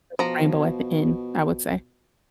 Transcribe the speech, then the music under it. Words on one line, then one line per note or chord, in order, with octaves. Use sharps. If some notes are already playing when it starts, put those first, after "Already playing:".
there's a rainbow at the end, I would say.
B2 F3 A#5